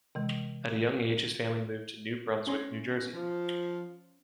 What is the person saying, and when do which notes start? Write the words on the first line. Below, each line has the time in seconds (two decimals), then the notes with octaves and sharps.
At a young age, his family moved to New Brunswick, New Jersey.
0.15 C3 E3 G#3
2.47 C#4 C#5 C6
3.13 F3